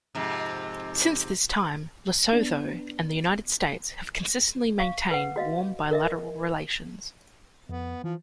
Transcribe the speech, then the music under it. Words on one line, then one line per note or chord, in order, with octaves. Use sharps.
Since this time, Lesotho and the United States have consistently maintained warm bilateral relations.
F2 G#2 C3
B3 D4
F5 C#6
B4 F#5
F#4 D#5 F5
A#4 D#5 E5
F2 B3
E3 F3